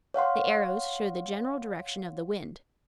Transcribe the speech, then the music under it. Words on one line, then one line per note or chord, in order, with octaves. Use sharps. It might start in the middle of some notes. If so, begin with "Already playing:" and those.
The arrows show the general direction of the wind.
C#5 F5 F#5 C6